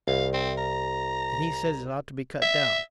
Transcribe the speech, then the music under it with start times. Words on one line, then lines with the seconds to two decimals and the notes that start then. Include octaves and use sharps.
And he says it ought to be cut down.
0.08 C2 F5
0.33 C4
0.58 A#5
2.42 E5